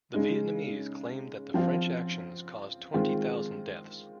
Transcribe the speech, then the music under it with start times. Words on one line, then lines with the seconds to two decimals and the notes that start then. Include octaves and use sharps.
The Vietnamese claimed that the French actions caused twenty thousand deaths.
0.14 C#3 G#3 D#4
1.54 F3 C4 F4
2.94 D#3 G#3 C4 F4